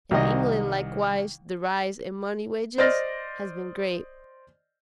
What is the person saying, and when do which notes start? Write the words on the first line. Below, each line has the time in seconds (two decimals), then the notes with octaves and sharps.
In England likewise the rise in money wages has been great.
0.11 C2 D#3 D#5
2.78 C5 D5 D#5 F6 A6 A#6